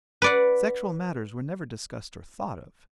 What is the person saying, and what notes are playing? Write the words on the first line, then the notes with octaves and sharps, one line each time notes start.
Sexual matters were never discussed or thought of.
B4 D5 F#5